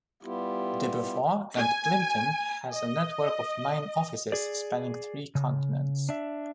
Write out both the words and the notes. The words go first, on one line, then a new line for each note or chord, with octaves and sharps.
Debevoise and Plimpton has a network of nine offices spanning three continents.
G3 B3 E4 F4 G4
G#5
D#5
G#4 D5
C#3
D4 E5